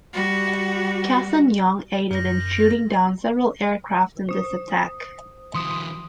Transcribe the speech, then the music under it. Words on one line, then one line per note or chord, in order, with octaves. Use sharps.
"Cassin Young" aided in shooting down several aircraft in this attack.
G3 F#4
F#2 A#6
C5 D#6
E3 F#3 C6 D#6